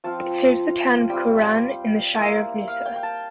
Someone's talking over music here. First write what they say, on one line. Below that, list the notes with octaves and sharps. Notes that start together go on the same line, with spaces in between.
It serves the town of Cooran in the Shire of Noosa.
F3 C4 F4 A5
G3 C4 F4 G5
A#3 E4
F5
G5
G5
A5